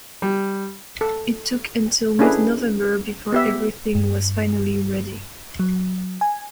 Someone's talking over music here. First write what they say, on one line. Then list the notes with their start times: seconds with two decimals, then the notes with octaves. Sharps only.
It took until mid-November before everything was finally ready.
0.22 G3
1.01 A4
2.19 C#4 D4 E4 G#4 A4 B4
3.32 B3 G4 E5
3.95 G2
5.60 F#3
6.21 G#5